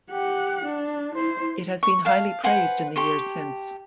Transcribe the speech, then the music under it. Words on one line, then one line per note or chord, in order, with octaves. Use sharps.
It has been highly praised in the years since.
G4 F#5
D4
E4 C5
C#6
F5 A5
B4 C5 F#5 G#5
G4 A4 C6 C#6